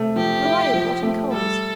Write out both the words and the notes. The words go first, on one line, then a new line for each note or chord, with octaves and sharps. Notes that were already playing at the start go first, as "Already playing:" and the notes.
Maria brought in coals.
Already playing: C3 A3
F3 G4
E4
F3
A3
G3 A4